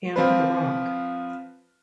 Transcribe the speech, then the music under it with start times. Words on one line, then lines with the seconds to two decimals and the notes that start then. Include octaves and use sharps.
And the rock.
0.16 F3 C4 F4 B4